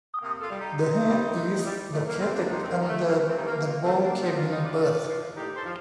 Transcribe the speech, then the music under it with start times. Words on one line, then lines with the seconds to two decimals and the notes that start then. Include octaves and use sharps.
The head is located under the bow cabin berth.
0.22 C3 A#3
0.41 F4 A4
0.50 G3
0.60 D#4 G4
0.79 C3 C4 D#4
1.08 G3
1.36 A2
1.65 G3
1.93 A2 A3
2.08 A#3
2.22 G3 A3 C4
2.36 A#3 D4
2.51 C3 C4 D#4
2.64 C4
2.69 A#3
2.80 D#3 G3
2.88 A3
3.07 C3 A#3
3.27 A3 C4
3.36 D#3 G3
3.46 A#3
3.65 A#2 A#3
3.84 A3 C4
3.94 G3
4.03 A#3 D4
4.22 A#2 C4 D#4
4.36 D4 F4
4.51 G3 C4 D#4
4.65 D4 F4
4.79 A2
5.08 F3
5.36 A2 D#4 G4
5.56 A4 C5
5.65 F3